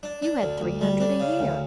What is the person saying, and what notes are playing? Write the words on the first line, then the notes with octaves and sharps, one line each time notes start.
You had three hundred a year.'
D4
D4
D2
D2
G3
D4
C#3
D2